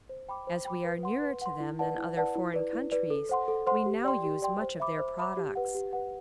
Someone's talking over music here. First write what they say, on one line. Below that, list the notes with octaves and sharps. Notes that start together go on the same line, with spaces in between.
As we are nearer to them than other foreign countries we now use much of their products.
C5
G5 B5 D6
C5
G5 B5 D6
B4
F#5 C6
B4
F#5 C6
E4
B4 D5 F#5 A5
E4
B4 D5 F#5 A5
E4
B4 D5
E4
B4 D5
A4
C5 F#5 C6
A4
C5 F#5 C6
G4
D5 G5 C6
G4
D5 G5 C6
C5
E5 B5 D6
C5
E5 B5 D6
G4
B4 F#5
G4
B4 F#5